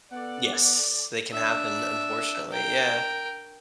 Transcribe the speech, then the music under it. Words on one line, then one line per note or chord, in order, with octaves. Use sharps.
Yes. They can happen, unfortunately, yeah.
B3 A4 D5 F#5
D4 E5
A#4 G5